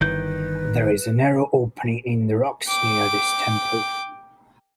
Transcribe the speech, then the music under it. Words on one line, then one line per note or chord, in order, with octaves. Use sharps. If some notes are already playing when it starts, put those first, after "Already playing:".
There is a narrow opening in the rocks near this temple.
G1 D#3 E3 B4 G6
G5 D6